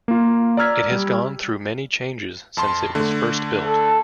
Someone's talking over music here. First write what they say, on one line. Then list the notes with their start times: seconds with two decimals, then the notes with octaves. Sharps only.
It has gone through many changes since it was first built.
0.08 A#3 F4
0.57 D5 A#5 E6 F6 G#6 B6
0.92 G3
2.57 F2 A5 C6
2.95 D3 A3
3.66 A4